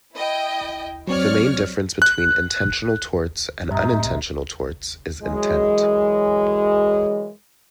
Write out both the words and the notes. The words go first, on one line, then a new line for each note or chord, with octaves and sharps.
The main difference between intentional torts and unintentional torts is intent.
E4 D#5 G5
F#3 C4 C#5 D5 F6
F#6
A#1 G2 C3 D#4
A2
B1
F#2 E3 F#3 G#3